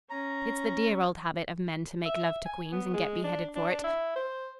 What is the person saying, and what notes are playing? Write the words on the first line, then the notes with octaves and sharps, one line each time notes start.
It's the dear old habit of men to make love to queens and get beheaded for it.
C#4 A#5
E5
G#5
B3
G#3
D4
D4
E4
C5